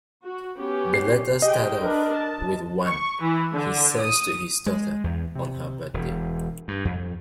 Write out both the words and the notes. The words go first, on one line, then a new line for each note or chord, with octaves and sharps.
The letters start off with one he sends to his daughter on her birthday.
F#4
B3 C#4 G4
C7
G4 G#4 D#5 G5
D4 A#4 B4
A5
C#6
E3
D3
D#6
G#3
E2
C3
E1
G2
F2